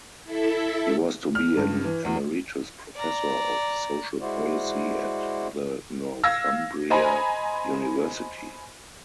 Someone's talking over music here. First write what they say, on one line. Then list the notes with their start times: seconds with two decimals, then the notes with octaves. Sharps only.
He was to be an Emeritus Professor of Social Policy at the Northumbria University.
0.24 E4 A4 E5
1.35 F6
1.57 G2
1.85 E3
2.05 E2
2.96 D5 A#5
4.19 G#3 E4 F#4 C5 D5
6.23 F5 E6 G#6 A#6
6.90 C5 D#5 G#5 A#5 B5